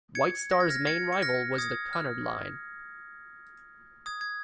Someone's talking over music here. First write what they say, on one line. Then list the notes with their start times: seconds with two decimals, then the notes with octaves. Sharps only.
White Star's main rival was the Cunard Line.
0.15 G#6 C#7
0.51 A#6
0.60 G#6
0.70 F6 A#6
0.87 G#6 C#7
1.13 C#7
1.22 F6 A#6
1.58 D#6 G#6
1.93 F6
4.06 D#6 G#6
4.21 G#6